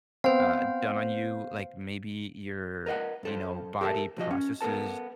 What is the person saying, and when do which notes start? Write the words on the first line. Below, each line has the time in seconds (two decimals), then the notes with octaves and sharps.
uh, done on you, like, maybe your you know body processes
0.24 B3 C4 C5 F5
2.86 A#4 B4 D#5 F5 F#5
3.23 F#2 A4 C5
3.81 G4 A4 A#4 C5 E5 A5
4.17 B1 F3 F#4 D#5
4.31 C#4
4.61 B3 A4 A#4 A5